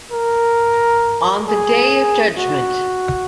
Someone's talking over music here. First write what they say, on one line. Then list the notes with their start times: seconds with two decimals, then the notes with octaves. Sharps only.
On the day of judgment.
0.12 A#4
1.48 G#4
2.38 F#4